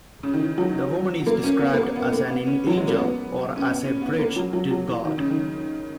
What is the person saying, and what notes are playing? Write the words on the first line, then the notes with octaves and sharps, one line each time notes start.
The woman is described as an 'angel' or as 'a bridge to God'.
C#3
D#3
E3
F#3
A#3
C#4
B3
A#3
B3
B3
A#3
B3
C#4
F#3
G#3
A#3
B3
C#4
B3
C#4
B3
A#3
F#3
F#3
F#3
E3
D#3
C#3
D#3